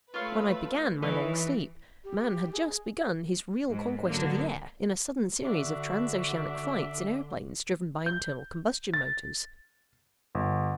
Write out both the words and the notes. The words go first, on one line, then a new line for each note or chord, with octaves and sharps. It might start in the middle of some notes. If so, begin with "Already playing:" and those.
When I began my long sleep, man had just begun his real conquest of the air in a sudden series of transoceanic flights in airplanes driven by internal combustion motors.
A3 F4 B4 C#5 F5
E3 D#4 B4 C#5
G4
G#4
G#2
D3 F#3 A#3 B3 D4
D3 D4 F#4 E5
G6
A6
G1